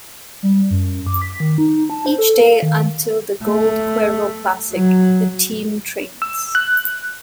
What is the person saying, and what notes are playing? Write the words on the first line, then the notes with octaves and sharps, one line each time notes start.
Each day until the Gold Cuervo Classic, the team trains.
G3
F#2
D6
B6
D#3
D#4
A5
C5
A4
F5
D#3
A3
F#3
E6
F#6